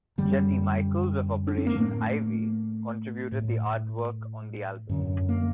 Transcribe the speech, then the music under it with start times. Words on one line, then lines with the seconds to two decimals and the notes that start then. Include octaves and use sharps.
Jesse Michaels of Operation Ivy contributed the artwork on the album.
0.18 F#2 D3 G3
1.47 D4
1.57 C4
1.66 A#3
1.75 A2 A3
3.32 A2
4.89 F#2 D3
5.29 A#3